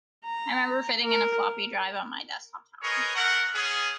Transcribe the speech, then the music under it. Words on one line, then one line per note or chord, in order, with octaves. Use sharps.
I remember fitting-in a floppy drive on my desktop tower.
A#5
A#4
G#4 A#4 B4 C#5 D#5
A3 A#4 F#5
B3 C#4 G#4